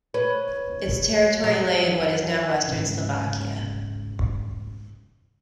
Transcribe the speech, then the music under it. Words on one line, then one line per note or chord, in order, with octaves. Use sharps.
Its territory lay in what is now western Slovakia.
B4 C#5
F#2 F#3
G#2 C#3